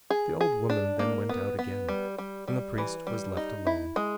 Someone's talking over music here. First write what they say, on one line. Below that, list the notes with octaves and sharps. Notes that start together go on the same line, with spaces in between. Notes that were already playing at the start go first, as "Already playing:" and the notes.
The old woman then went out again, and the priest was left alone.
G#4
G#4
D4
A#3
B3
B3
G3
G3
G3
E3
G3
D#4
E4
G#3